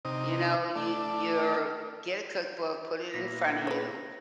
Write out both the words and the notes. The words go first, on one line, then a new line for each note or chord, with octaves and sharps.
You know, you you're get a cookbook, put it in front of you,
C3 D#4
A3 D4
A#2 B3 E4 A#6
B4 C#5